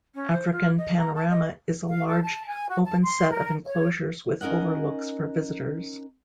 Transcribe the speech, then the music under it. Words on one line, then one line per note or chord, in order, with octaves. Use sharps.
African Panorama is a large open set of enclosures with overlooks for visitors.
C#4
C5
F4
D#5
A#5
A5
D#5
F5
A4
A5
G#5
F#4
A5
C6
A#4
C#5
C#4 D#4 A#4 D#5 F#5